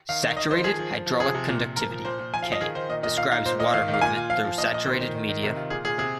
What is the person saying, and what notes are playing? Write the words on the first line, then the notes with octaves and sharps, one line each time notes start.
Saturated hydraulic conductivity, "K", describes water movement through saturated media.
D#3 F5
D#3
D#3 D#5
D#3 C5
F3 G#4
F3
F3
F3
C3 G#4
C3
A#2
A#2
F3 A#4
F3
A#2 C5
A#2
F3 G#5
F5
F4
D#5
D#3 G#4
D#3 C5
A#2 D#5
A#2 D#5
A#2 F5
D#4 F5
A#2 C5
A#2 D#5
D#3 F5
D#3
F5
A#2 G#5
F4
F3 F5
F3
A#2 D#5
A#2 D#5
D#3 C5
D#3
D#3
D#3
C3
F4
A#2 G#4
A#2 G#4
C3 G#4